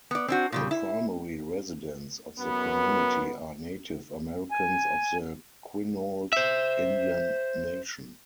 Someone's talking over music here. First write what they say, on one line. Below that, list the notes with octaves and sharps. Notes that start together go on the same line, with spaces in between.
The primary residents of the community are Native Americans of the Quinault Indian Nation.
B3 D5
C4 D4 F#4
A#2 C#3 G3
E4
F#2 B3
G#5
C5 E5